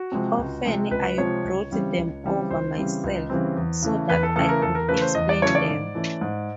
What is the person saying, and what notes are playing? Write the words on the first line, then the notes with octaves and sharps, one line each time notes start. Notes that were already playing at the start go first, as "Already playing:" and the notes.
Often I brought them over myself, so that I could explain them.
Already playing: F#4
C3 F3 G#3 C4
C#2
C3 F3 G#3 C4
C#2 B4
C3 F3 G#3 C4 C#5
C#2
C#3 E3 G3 C4
C#2
C#3 E3 G3 C4
C#2 C5
C#3 E3 G3 C4
C#2
C#3 E3 G3 C4
E2
C#3 E3 A3
E2 B4
A4
C#3 E3 A3 A4
A#4
E2 A4
A#4
C#3 E3 A3 B4
C5
E2 D#5
D5
C#3 E3 A3 C#5
D5
G#2
E3 A3 C#4
G#2